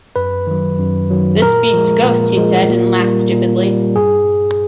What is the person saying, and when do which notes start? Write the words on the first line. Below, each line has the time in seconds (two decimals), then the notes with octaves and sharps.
"This beats ghosts," he said, and laughed stupidly.
0.16 F#2 B4
0.47 D#3 F#3
0.79 F#2
1.10 D#3 F#3
1.42 A#2 A#4
1.73 F3 G#3
2.05 A#2
2.36 F3 G#3
2.69 A#2
3.00 G3
3.31 A#2
3.63 G3
3.96 G2 G#4